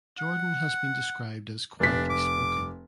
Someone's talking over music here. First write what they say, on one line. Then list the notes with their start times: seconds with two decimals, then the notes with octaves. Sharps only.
Jordan has been described as "quietly spoken".
0.19 F#5
1.80 F1 D4 B6
2.09 D6